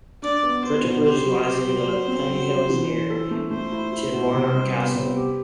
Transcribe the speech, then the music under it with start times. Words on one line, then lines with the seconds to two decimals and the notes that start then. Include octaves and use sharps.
Greta Bridge lies in the Pennine hills near to Barnard Castle.
0.22 D4 D5
0.43 B3
0.63 B3 C5
0.84 B2
1.04 G4 C5
1.25 F#3
1.46 G4
1.66 F#3
1.86 F#3
2.08 C4
2.28 F#3
2.49 F#3
2.70 E3
2.90 E3
3.10 A4
3.31 A3
3.51 A3 C5
3.72 E4
3.92 E4
4.13 B2
4.34 C3
4.54 G3
4.75 B3
4.96 C3
5.16 G4